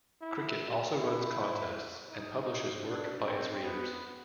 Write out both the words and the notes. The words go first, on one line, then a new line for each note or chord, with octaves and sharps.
"Cricket" also runs contests and publishes work by its readers.
E4
E4
D#4
D4
C4
B3